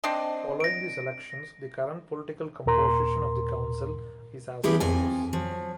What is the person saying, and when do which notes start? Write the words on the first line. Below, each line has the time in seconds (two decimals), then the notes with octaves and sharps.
Following these elections the current political composition of the council is as follows.
0.04 C4 D4 D#5
0.60 A#6 D7
2.66 D#2 A#2 A#4 A#5 C6
4.63 E3 B3 C#4 E4 G4 G#4
4.80 F2 G#5
5.33 F3 F#3